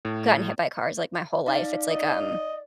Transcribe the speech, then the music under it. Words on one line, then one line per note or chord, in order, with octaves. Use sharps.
gotten hit by, uh, cars, like, my whole life. It’s like, um
A2
D#4 D5 F5
D#5